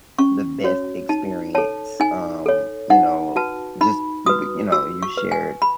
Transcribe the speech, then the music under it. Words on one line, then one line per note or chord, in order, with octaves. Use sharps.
the best experience, um, you know, just b you know, you shared
C#4 C#6
F#4 C#5
D#4 A5
A4 C#5 A5
D#4 G#5
A4 C#5
D#4 F#5
F#4 B4 A5
D#4 B5
F#4 B4 D#6
F#4 E6
C#6
B4
G#5
B5